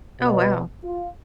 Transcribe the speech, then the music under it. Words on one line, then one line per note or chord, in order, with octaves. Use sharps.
Oh, wow.
B2
F4